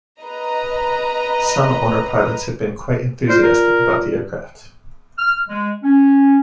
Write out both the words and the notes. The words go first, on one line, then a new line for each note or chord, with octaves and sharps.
Some owner-pilots have been quite enthusiastic about the aircraft.
B4 D#5 A#5
F4 C5 D5 F6
A#4
F6
G#3
C#4